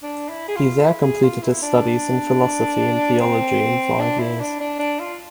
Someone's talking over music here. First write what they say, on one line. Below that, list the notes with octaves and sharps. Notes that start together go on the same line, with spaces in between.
He there completed his studies in philosophy and theology in five years.
D4
E4
G#4
F4
E4
G#4
F4
E4
D4
C4
D4
E4
D4
D4
D4
F4